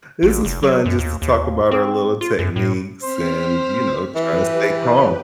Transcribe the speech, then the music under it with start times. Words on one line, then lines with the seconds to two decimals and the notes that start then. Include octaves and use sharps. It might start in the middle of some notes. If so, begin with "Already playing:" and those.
This was fun just to talk about our little techniques and, you know, trying to stay calm.
0.23 A1
0.45 F1
0.63 F#3
0.85 F#2
0.99 D#2
1.22 D#2
1.71 C4
2.21 F4
2.39 F#2
2.56 A2
3.03 C4 C5 F6 B6
4.15 E3 G4 B4